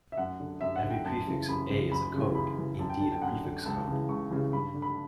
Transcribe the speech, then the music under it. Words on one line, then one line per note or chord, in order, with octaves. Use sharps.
Every prefix in "A" is a code, indeed a prefix code.
E5
F#2 F#5
D3
F#2 E5
F#5
D3
G5
F#2 A5
C#3 E3
F#2 B5
C#3 E3
F#2 B5
C#3 E3
F#2 B5
C#3 E3
F#2 A5
G5
D3 A5
G5
F#2 F#5
D3
C#2 A5
C#3 E3
C#2 C#6
C#3 E3
G2 B5
D3
B5